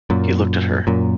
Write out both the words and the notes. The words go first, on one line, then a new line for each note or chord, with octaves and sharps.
He looked at her.
F#2 A#2
F#2 A#2